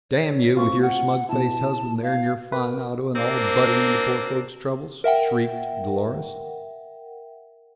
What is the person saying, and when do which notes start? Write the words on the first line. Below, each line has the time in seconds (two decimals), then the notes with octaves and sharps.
"Damn you, with your smug-faced husband there, and your fine auto and all, butting into poor folks' troubles!" shrieked Dlorus.
0.11 C#5
0.57 A3 C4 F4 C#6
0.82 F#5
1.29 B2 E4 A5
2.03 F5
2.52 A#4 B4
3.15 A#3 C4 D4
5.04 A#4 E5 F#5 G5